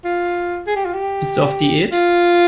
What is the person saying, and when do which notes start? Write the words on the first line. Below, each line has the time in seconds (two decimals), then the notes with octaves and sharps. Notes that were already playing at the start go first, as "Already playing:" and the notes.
Bist du auf Diät?
0.04 F4
0.66 G#4
0.75 G4
0.85 F4
0.94 G4
1.92 F4